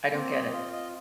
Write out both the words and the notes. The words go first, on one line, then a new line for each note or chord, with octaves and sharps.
I don't get it.
A#3 C4
D#5
F4
D#5